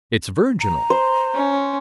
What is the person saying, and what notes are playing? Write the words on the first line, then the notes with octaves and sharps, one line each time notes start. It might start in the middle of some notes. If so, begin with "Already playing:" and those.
It's virginal.
A#5
C5
C#4